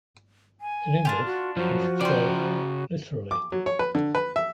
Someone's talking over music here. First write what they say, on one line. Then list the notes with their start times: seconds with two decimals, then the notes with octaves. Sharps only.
In English, we should say 'literally'.
0.61 G#5
1.05 D4 F4 G4
1.26 F#4
1.57 F#2 F3 F#4
2.01 C#3 C5 D5 G5
3.31 D6
3.52 F#3
3.66 C#5
3.79 B4
3.95 D3
4.15 B4
4.36 E5